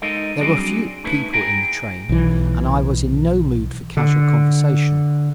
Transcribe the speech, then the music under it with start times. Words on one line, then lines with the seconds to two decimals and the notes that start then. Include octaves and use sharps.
There were few people in the train, and I was in no mood for casual conversation.
0.02 G#3 D#4 A4 A#4 D#5
0.41 F#3 G3 C4 D4 F#4 G#4
1.04 A3 C#4 D#4 E4 B4
1.33 E4 G4 G#4 G5 A#5
2.09 B1 E3
3.97 D3